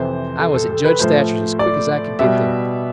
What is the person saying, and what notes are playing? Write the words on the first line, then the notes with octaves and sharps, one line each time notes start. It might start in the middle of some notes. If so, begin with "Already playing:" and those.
I was at Judge Thatcher's as quick as I could get there.
Already playing: F2 C3 E3 C5
A4
A4
A4
B4
A2 F3 A3 C5
D5
B2 G3 E5